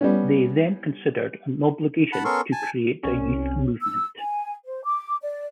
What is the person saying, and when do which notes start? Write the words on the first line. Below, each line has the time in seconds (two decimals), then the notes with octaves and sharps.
They then considered an obligation to create a youth movement.
0.01 G3 B3 C#4
2.13 F#5 A5 B5
2.25 B3 C#4 A4 A#4 C6 C#6
2.52 G#5 A5
3.03 C2 C#4
3.82 E6
4.18 G#5
4.65 C5
4.84 D6
5.22 D5